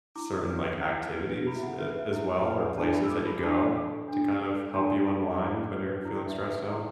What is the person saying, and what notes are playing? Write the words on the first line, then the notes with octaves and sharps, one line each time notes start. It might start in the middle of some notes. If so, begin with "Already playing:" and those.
certain, like, activities a as well or places that you go to kind of help you unwind when you're feeling stressed out?
E4 D6
B4
E4
B4
E4 B5
E5
F#5
B4 E5
E5
E4 E5
E5
B4 E5
F#5
D4 A5
B5
E6
A4 D6
B5
D4 A5
A4
D4
A4
D4 A5
A4
E4 D6
B4
E4
E5
B4
E5
D5
E4